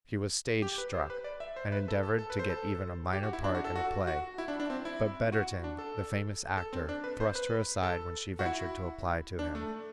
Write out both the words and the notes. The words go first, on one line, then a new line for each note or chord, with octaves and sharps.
She was stage-struck, and endeavored to get even a minor part in a play; but Betterton, the famous actor, thrust her aside when she ventured to apply to him.
G4
B4
C5
B4
D5
E5
C5
B4
A4
A4
A4
B4
C5
A4
G4
F#4
E4
D4
F#4
A4
F#4
F#4
E4
D4
D4
C4
E4
F#4
D4
A4
A4
C4
D4
B4
C5
B4
A4
F#4
E4
D4
A3